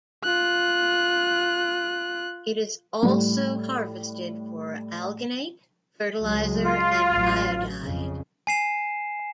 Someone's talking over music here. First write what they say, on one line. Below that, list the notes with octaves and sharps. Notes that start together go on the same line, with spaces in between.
It also is harvested for alginate, fertilizer and iodide.
F4 F#6
A2 G3
C#2 F#3 G#3
F4
A1 F#3
F2 C#3
G#5 C7 E7